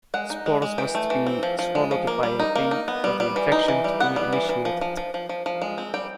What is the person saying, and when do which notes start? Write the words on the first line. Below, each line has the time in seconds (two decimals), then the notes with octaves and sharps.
Spores must be swallowed by a bee for the infection to be initiated.
0.14 G#3 F#5
0.30 D#4
0.46 G#3
0.62 G#3
0.78 E3 G5
0.95 A3
1.10 E3
1.26 C4
1.43 F3
1.59 F3
1.75 G#3
1.91 F3
2.07 A#3
2.23 G3
2.40 D#4
2.55 A#3
2.71 D#4
2.88 B3
3.04 G3
3.20 G3
3.36 E3
3.52 D#4
3.68 E3
3.84 G3
4.00 B3 F#5
4.16 G3
4.33 E3
4.49 E3
4.65 F3
4.81 F3
4.97 F3
5.14 F3
5.29 F3
5.46 F3
5.62 G#3
5.78 C4
5.94 G3 G5